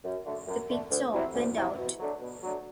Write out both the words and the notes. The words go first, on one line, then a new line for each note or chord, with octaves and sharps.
The picture opened out.
F#2
D3 A3
F#2
D3 A3
D2
C3 F#3 C4 E4
D2
C3 F#3 C4 E4
B2
F#3 A3 D4
B2
F#3 A3 D4